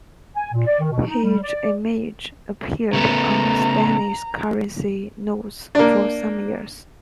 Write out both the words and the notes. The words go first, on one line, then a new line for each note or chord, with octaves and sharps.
His image appeared on Spanish currency notes for some years.
G#5
A#2
D5
D#3
B2
D#4
G3
D5
C#3 A3 B3 A#5
A#3 D4